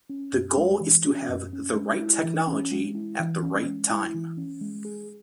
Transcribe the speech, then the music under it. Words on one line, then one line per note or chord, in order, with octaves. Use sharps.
The goal is to have The right technology at the right time.
C#4
F#2
G#3
E3
C#4
F#2
C#4
G#3
E4
E3
C#4
G#3
E4
E3
C#4
G#3
E4
E3
C#4
G#3
G#4